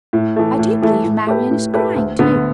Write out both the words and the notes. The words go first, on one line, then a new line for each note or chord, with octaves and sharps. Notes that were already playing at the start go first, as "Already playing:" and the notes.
I do believe Marian is crying, too.
A2
E3 A3
A2
E3 A3
A2
A3 G4 B4
A2
A3 G4 B4
D2
D3 B3